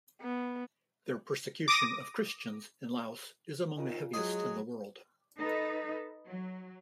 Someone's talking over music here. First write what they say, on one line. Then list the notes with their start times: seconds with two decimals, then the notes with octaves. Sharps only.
Their persecution of Christians in Laos is among the heaviest in the world.
0.21 B3
1.68 D6 D#6 A#6
3.77 D#3 F4 G#5
4.14 F#3 G#3 G#4
5.38 D#4 A4 B4
6.25 F#3